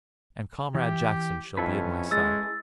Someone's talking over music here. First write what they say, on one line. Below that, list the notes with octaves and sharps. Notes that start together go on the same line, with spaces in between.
And Comrade Jackson shall be at my side.'
E3 G4
F2 C#4 E4 A4 B4
G#3 E6 A6